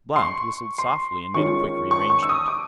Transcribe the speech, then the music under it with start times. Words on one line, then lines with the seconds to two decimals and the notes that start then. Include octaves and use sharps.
Blount whistled softly and made a quick re-arrangement.
0.16 C6
0.22 C#6
0.78 C6
1.34 D#3 G#3 C#4 F4 C#6
1.91 C#6
2.10 C#6
2.23 E6
2.29 D#6
2.48 D6